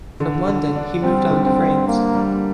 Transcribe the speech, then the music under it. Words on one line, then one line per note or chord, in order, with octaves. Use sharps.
From London he moved on to France.
D3
D3
D4
G3 C4
D3
C4
D3
A#3 D4
G3